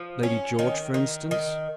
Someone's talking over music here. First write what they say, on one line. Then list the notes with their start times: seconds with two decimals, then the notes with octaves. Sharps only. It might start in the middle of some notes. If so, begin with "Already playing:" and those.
"Lady George for instance."
Already playing: F3
0.23 C#4
0.59 D#3
0.94 D#3
1.31 D#3